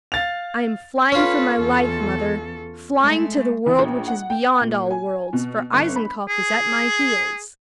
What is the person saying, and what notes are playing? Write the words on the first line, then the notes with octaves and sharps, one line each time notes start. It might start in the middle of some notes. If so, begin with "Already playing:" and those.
'I am flying for my life, mother, flying to the world which is beyond all worlds; for Eisenkopf is at my heels.'
F5 A6 F7
C#4 F4 A4 B4
E2 A4
G#3 A3
E3
A#1
F#5
G5
A#2
G#5
B2
G1
B5
G#4